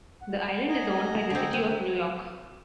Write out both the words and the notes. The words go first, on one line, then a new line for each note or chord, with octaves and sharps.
The island is owned by the city of New York.
F#5
D#5 G#5 A#5
D3 C4
C4 B4